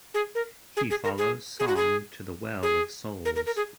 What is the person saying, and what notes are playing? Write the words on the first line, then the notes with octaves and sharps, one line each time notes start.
He follows Song to the Well of Souls.
G#4
A#4
G#4
G#4
A#4
G#4
G#4
F#4
G#4
G#4
A#4
A#4
A#4
G#4